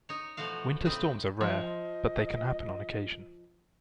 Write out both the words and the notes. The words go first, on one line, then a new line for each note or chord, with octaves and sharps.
Winter storms are rare, but they can happen on occasion.
D#4 C#5
B2 F3 A3 F#4 F5
A2 C#3 C4 D#4 B4 E5
F3 D#5